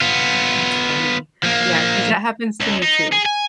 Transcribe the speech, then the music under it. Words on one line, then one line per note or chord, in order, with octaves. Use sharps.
That's funny. Yeah, 'cause that happens to me too
B3 F4
F3 A#3
C#2
D#4
G#4
G#5